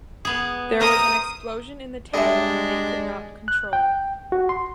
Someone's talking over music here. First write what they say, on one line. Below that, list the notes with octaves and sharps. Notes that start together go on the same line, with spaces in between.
There was an explosion in the tail and they could not control it.
B3 G#4
A#4 C5 E5 D#6
G3 G#3 D4 D#4 A4 D#5 E5
F#6
G5
F#4
C6